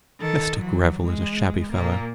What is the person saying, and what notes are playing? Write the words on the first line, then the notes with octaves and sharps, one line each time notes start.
Mr. Greville is a shabby fellow!
D#3 A4
E3 F#3
G#3
A#2 A#3